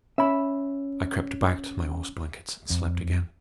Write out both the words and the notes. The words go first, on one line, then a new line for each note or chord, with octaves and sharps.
I crept back to my horse blankets and slept again.
C#4 E5 B5
F2